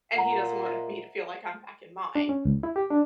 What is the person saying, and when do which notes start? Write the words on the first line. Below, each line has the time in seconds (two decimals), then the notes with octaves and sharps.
and he doesn't want me to feel like I'm back in mine,
0.16 A#2 F#5 A#5
0.65 C5 D#5 E5
2.15 D4
2.29 C#4
2.45 C#2
2.63 E4
2.76 G4
2.91 D4